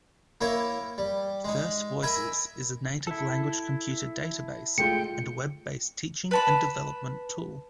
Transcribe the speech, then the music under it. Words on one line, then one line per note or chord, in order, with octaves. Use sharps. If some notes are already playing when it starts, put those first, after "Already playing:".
FirstVoices is a native language computer database and web-based teaching and development tool.
A#3 E4 A#4 C#5
G3
G#3 D#4
A#4 E5 G#5 B5
E4 A4
G#3 A3 F4 G5 C#7
B4 A5 B5